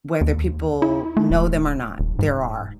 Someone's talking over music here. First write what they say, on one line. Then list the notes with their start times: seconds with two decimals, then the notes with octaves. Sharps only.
whether people know them or not, there are,
0.21 D#2
0.82 E4
1.17 A3
1.30 D#1
1.99 D#1
2.19 G#2